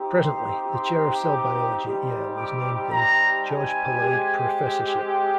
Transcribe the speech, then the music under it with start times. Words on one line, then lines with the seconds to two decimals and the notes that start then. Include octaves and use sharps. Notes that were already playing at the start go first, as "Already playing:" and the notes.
Presently, the Chair of Cell Biology at Yale is named the "George Palade Professorship".
Already playing: C4 D#4 G4
0.19 C6
0.74 C6
1.29 D6
1.83 G3 C4 D#4 G4
2.37 D6
2.91 A#5
3.46 G#5
4.01 G#3 C4 G4